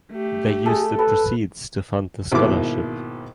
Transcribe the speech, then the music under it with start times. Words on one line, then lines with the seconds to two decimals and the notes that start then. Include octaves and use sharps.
They used the proceeds to fund the scholarship.
0.12 A3 G4
0.66 G#4 A4
0.99 A4 B4
2.32 G#1 B2 A#3 E4 D6